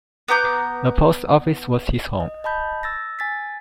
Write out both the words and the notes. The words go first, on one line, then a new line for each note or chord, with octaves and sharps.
The post office was his home.
B3 A#5 D6 G6
D#5
D#5 A5 B5 G6
E6 A6 A#6
G#5 A6 B6